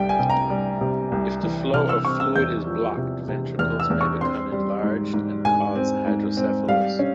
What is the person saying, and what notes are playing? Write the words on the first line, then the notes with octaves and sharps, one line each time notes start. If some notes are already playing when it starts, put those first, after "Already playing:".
If the flow of fluid is blocked ventricles may become enlarged and cause hydrocephalus.
Already playing: C2 G3 G5
G#5
C3
A#5
G3
C3
C2
E3
C3 F6
E6
C4 C#6
E6
E2 G6
F3
C3
C3
E2 F6
E6
E2
C#6
C4 C6
G3
G#2
G#2
G#2 G#5
C4
G#2
C4
G3 F5
C#4